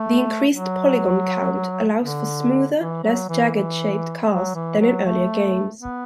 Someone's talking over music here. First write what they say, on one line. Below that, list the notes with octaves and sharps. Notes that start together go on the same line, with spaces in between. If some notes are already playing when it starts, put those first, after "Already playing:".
The increased polygon count allows for smoother, less jagged-shaped cars than in earlier games.
Already playing: A3
F#3
D3
E3
F#3
E3
E3
F#3
E3
F#3
A3
B3